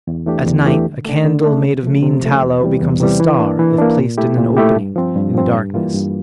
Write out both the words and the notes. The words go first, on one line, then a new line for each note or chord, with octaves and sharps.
At night, a candle made of mean tallow becomes a star if placed in an opening in the darkness.
E2
E3 A3 D4 G4
E2
E3 A3 D4 G4
D3
A3 D4
D3
A3 D4
C3
F3 A3
C3
F3 A3
E2
C3 E3 G3
E2
C3 E3 G3
E3
A#3 D4
E3
A#3 D4
A#2
A3 E4 G4
A#2
A3 E4 G4
G2
F3 C4
G2
F3 C4
G2
E3 G3 A#3 F4
G2